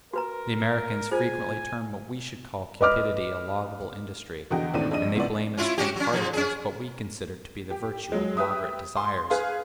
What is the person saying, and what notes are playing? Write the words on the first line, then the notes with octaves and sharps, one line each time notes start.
The Americans frequently term what we should call cupidity a laudable industry; and they blame as faint-heartedness what we consider to be the virtue of moderate desires.
F#4 A#4 B4 A#5
F4 G#4 C5 G#5
B4 D#5 D6 F6
E2 D3 F#4 D#5 G5
D#2 A2 C4 D4 D#7
A#1 D4 D#5 D#7
C#2 B3 E4 D5
C#4 E4 F4
C#4 F#4 G4
F#3 C#4
G#2 F3
C#4 G#4
G4
F#3 G#3
G4 B4 E5 D#6
C6
G#4 B4 F5